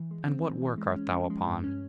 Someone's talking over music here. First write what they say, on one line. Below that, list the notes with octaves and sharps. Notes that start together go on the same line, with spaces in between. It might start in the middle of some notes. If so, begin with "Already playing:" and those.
'And what work art thou upon?'
Already playing: E3
G#3
C4
E3
E3
G#3
C#4
F3
G#3
G2
C#4